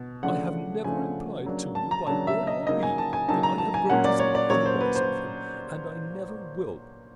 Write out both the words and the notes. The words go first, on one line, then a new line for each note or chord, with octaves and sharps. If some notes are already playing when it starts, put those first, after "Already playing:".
I have never implied to you by word or deed that I have grown to think otherwise of him, and I never will.
Already playing: B2
C#3 F3 A3 D4 F#5
C#3 F3 A3 D4 G#5
C#3 F#3 A#3 D4
A5
A#5
C#3 F#3 A#3 D4 A5
E5
D#5
C#3 F#3 A#3 D#4 D#5
G#5
A5
G#5
C#3 F#3 A#3 D#4 A5
A#5
A5
G#5
A#2 F#3 A#3 C#4 F#5
D5
C#5
D5
A#2 F#3 A#3 C#4 C#5
C5
B4
C5